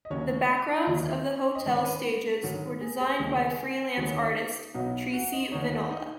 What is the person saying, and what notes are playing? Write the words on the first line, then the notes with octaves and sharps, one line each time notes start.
The backgrounds of the hotel stages were designed by freelance artist Trici Venola.
D#5
D#2 C#3 F#3 C#4 C#5
D#2 D#3 F#3 D#5
D#5
G#2 D#3 G#3 C#4 C#5
C#5
B4
G#2 D#3 F#3
G#4
G#4
D#2 C#3 G#3 D#4
D#2 D#3 G#3 C#4 F#4
D#4
B1 B2 F#3 B3 D#4
F#4
D#5
D#2 D#3 B3 D#4 C#5
F#4
D#4